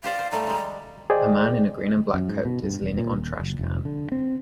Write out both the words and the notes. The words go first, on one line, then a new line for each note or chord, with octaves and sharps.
A man in a green and black coat is leaning on trashcan.
G4 C5 D5 F5
C5
A2 G3 A3 A#5
G3 G#3
G#4 C5 D5 D#5 G5
F#2
G#2
B2
G2
E1
A#2
D#1
F#1
F1
D3
C4